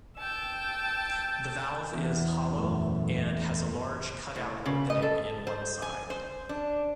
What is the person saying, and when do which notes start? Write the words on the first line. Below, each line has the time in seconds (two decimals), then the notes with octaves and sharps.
The valve is hollow, and has a large cut-out opening in one side.
0.17 G5 A5 E6
1.93 E2
2.49 F#2 A#2 A3
4.36 A2
4.66 C#3
4.90 D#5
5.02 A4
5.47 C5
5.82 G#5
6.10 C5
6.49 D4